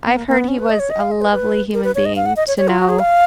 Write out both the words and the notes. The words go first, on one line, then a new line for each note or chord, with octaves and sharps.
I've heard he was a lovely human being to know.
B3
A#3
A#3
B3
C#4
B4
D#5
C#5
D#5
F5
D#5
B4
B4
A#4
B4
C#5
D#5
F5
F#5
D#5
C#5
C#5
F4
F#4
G#4
F5